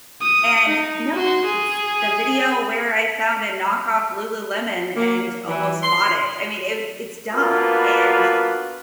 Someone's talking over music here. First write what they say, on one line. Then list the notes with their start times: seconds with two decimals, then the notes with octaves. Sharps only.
And no, it's the video where I found a knockoff Lululemon and almost bought it. I mean, it it's dumb, and
0.22 D#6
0.68 D#4
1.15 F#4 C6
1.46 G#4
4.97 A#3
5.48 E3
5.83 C6
7.34 A#3 B3 D4 F4 F#4 B4